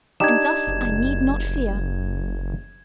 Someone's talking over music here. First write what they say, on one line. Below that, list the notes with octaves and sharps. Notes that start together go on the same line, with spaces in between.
And thus I need not fear.
D4 D#4 G4 G#6 E7
F#1